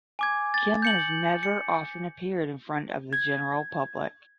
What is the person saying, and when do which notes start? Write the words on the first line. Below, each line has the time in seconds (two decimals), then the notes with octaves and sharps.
Kim has never often appeared in front of the general public.
0.19 G#5 D6 G#6
0.54 A6
0.82 G6 C#7 F#7
1.43 C#7
3.13 G#6